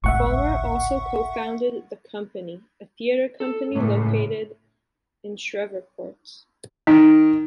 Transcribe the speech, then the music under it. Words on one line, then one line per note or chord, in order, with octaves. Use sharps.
Folmer also co-founded "The Company", a theater company located in Shreveport.
G#1 C#2 A2 E5 F#5 C#6
A4
A2 C#3 G#3
D#3 D#4